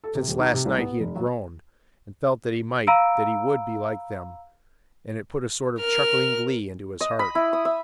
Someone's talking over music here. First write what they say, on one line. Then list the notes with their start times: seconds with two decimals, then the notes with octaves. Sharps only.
Since last night he had grown, and felt that he might, that he would, be like them, and it put a sort of chuckling glee into his heart.
0.04 A4
0.15 C3
0.28 D#1
0.40 D#4
0.54 C3
0.65 C2
0.78 B3
1.00 F1
1.15 F#3
2.87 F5 A#5 B5 E6 D7
5.80 A#4 F6
7.01 D#5
7.19 B5
7.35 E4
7.53 D#6
7.65 E5